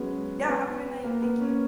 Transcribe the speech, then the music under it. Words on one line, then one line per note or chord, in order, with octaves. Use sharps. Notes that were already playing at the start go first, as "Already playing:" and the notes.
Yeah, have a good night. Thank you.
Already playing: F#3 G#3 B3 C#4
B3
A#3
B3
C#4